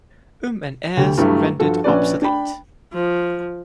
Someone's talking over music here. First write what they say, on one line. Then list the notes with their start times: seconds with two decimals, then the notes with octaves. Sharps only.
Um's and Er's rendered obsolete.
0.97 D2 D3 G4
1.17 G2 E3 F#3 G3 A3
1.60 G2 F3 F#4 A4
1.84 A#1 C#4 B4 D5
2.22 D4 G5 B5
2.93 F3